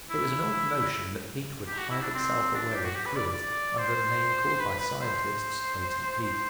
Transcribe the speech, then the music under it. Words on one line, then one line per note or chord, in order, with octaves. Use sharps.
It was an old notion that heat would hide itself away in fluids under a name called by scientists latent heat.
E4
G4
F#4
E4
D4
C4
D4
G4
F#4
G4
B4
D5
D5
C5
B4
B4
C5
C5